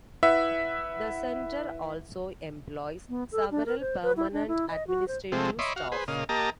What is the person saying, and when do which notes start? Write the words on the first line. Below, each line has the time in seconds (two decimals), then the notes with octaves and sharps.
The Centre also employs several permanent administrative staff.
0.23 E4 B4 E5 F#5
3.09 B3
3.32 A4
3.51 D4
3.66 A#4
3.80 C5
4.03 B4
4.17 E4
4.33 D4
4.48 E4
4.70 D#5
4.87 F#4
5.08 C5
5.32 C3 F3 G#3 A3 C4
5.59 C#5 D#5 E5 B5 C6 D6
5.76 F#4 F5
5.92 G#4 B4 C5
6.08 A#2 C#3 D#5 F5
6.29 A#3 G4 D#5 A5 A#5